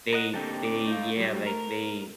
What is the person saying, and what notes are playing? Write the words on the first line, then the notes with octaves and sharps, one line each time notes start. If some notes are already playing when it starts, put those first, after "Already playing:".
they they yeah, like, they
A#4 D#5 F#5
D3 A#3 C4 D#4 G4 A4
A3 D6
D#4 F4
F#3 G3
A#4